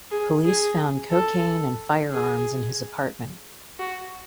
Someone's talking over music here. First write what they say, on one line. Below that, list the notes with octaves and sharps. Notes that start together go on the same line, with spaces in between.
Police found cocaine and firearms in his apartment.
G#4
G#4
A4
G#4
F#4